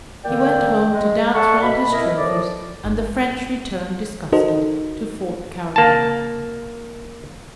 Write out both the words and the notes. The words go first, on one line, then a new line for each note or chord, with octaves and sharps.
He went home to dance round his trophies, and the French returned disgusted to Fort Caroline.
A#2 D3 E3 A#3 D5 G5
G#3
A4 D5 E5 F#5 C#6
B2 B5
E4 A#4 D#5
A2 F3 A#4 D5
G1
D#4 F#4 A4 A#4 C5 D#5
A#3 A5